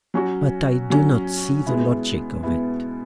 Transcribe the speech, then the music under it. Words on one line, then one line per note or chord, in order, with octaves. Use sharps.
But I do not see the logic of it.
F#3 C#4 F#4
F#3 C#4 F#4
B2 G#3 B3 E4
B2 G#3 B3 E4